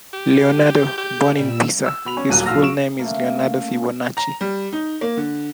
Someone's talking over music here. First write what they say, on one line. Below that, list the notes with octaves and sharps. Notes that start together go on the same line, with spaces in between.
Leonardo: Born in Pisa, his full name is Leonardo Fibonacci.
G4
G6
G4
A#2 G3 E6
E6
B2 B5 F7
C#4
D#1 A#2 F#3 A#3 F#6 D#7
B1 F4 F5 E6 F6 A#6
C#6 D7 E7
C#3 A3 A#3
A#5
G3
D#4
A#3
D3